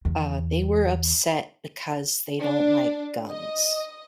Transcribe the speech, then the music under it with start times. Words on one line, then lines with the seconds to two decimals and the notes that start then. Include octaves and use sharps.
Uh, they were upset because they don't like guns.
0.05 E2
2.41 D4
3.30 D#5